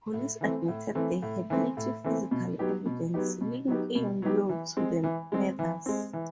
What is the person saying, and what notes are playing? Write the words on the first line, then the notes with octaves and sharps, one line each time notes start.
Police admitted they had little physical evidence linking Yoo to the murders.
A2
E3 A3 C4
A2
E3 A3 C4
A2
E3 A3 C4
A2
E3 A3 C4
B2
F#3 B3 D#4 G4
B2
F#3 B3 D#4 G4
B2
F#3 B3 D#4 G4
B2
F#3 B3 D#4 G4
E3
G#3 C4
E3
G#3 C4
E3
G#3 C4
E3